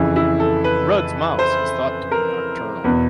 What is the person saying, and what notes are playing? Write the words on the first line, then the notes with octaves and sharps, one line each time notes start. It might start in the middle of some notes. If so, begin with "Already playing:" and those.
Rudd's Mouse is thought to be nocturnal.
Already playing: F2 C#3 E3 E4
E4
A4
B4
C5
A#4
E2 B2 B4